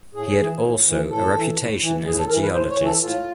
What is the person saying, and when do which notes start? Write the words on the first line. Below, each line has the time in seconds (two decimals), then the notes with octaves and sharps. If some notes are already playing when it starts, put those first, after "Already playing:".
He had also a reputation as a geologist.
0.14 A2 G#4
0.39 E3
0.62 A2
0.87 E3
1.10 A2 A4
1.34 E3
1.58 A2
1.82 E3
2.06 A2 G#4
2.18 A4
2.29 E3 A#4
2.42 B4
2.53 A2 C5
2.70 C#5
2.78 E3
2.85 A4
3.02 A2 F4